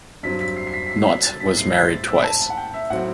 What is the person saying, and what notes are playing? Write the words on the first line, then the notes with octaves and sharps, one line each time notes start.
Nott was married twice.
G2 F#3 C4 B6
B6
C7
C7
B6
B6
C7
B6
A6
B6
A2 G3 C4 C7
B6
A6
E6
B5
A5
A5
F#5
G5
E5
A2 F#3 C4 F#5